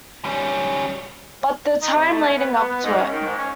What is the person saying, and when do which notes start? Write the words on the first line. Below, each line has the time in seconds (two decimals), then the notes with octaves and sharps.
But the time leading up to it.
0.25 G3 C#4
1.82 D#4
1.94 C3
2.09 A3
2.21 C#4
2.37 B3
2.54 B3
2.67 B3
2.84 G#2
2.98 C#4
3.10 D#3
3.25 G#2
3.37 C#4